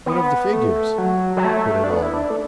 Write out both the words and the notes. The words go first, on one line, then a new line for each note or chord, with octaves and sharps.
"What of the figures?" put in Oliver.
B3
A3
F#3
F#3
A3
D4
B3
E4
D4
A3